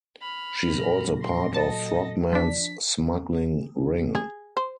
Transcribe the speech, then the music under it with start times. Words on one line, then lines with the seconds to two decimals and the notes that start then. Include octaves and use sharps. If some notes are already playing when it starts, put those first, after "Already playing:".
She is also part of Frogman's smuggling ring.
0.21 B5 F6
0.74 A#2 F#3 A#6
1.22 C6
1.54 A4 D#5 A5
2.33 F3 D4 B6
4.15 G#4
4.57 C5